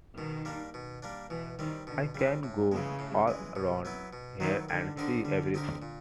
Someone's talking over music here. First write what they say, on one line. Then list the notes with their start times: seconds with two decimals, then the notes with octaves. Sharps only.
I can go all round here and see everything.
0.18 B2 D#3
0.45 G3 A#3 D4
0.74 B2
1.02 G3 A#3 D4
1.30 B2 E3
1.58 D#3 G3 C4
1.87 B2 D3
2.15 C#3 G3
2.19 C4
2.44 A2
2.72 C#3 E3 G#3
2.99 A2
3.28 E3 G#3
3.55 B2
3.85 F#3 B3 E4
4.13 B2
4.40 D#3 F#3 B3 E4
4.69 D3 G3
4.97 D3 C4 D#4 G4 A#4
5.25 D3 G3
5.54 C4 D#4 G4 A#4
5.82 A#2